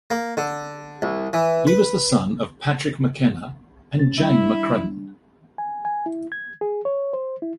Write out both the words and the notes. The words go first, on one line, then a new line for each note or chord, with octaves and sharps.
He was the son of Patrick McKenna and Jane McCrudden.
A#3
D3
C2
E3
B4
C3 C#4 A6
G3 D4 E4
G#5
G#5
E4
G#6
G#4
C#5
C5
E4